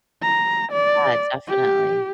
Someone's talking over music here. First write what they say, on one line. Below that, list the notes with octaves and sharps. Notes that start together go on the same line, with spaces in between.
Yeah, definitely.
A#5
D5
G4